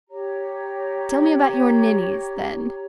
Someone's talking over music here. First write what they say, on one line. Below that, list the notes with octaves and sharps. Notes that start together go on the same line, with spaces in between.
"Tell me about your ninnies, then."
G4 C#5 A#5